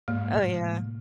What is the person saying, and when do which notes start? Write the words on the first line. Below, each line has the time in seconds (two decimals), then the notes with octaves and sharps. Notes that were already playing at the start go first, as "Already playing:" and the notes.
Oh, yeah.
0.08 G#2 A#3
0.34 A2 C3 G#3